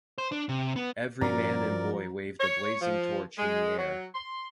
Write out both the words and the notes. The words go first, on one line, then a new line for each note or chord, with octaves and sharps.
Every man and boy waved a blazing torch in the air.
C5
D4
C3
B3
G2 F3 C#4 F#4 A#4 D5 A#5
C#5
F3
G#3
F#3
C6